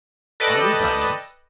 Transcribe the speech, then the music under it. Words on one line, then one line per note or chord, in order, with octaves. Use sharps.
"Are they diamonds?"
A4 B4 D5 D#5 G5 A5